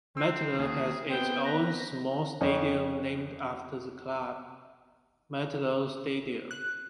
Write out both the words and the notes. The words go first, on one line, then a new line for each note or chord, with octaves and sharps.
Metalurh has its own small stadium named after the club, Metalurh Stadium.
C4 E6
D#2 G#4
G#3 B3 C4 G5
B4 A#6
F2 C#4
F#6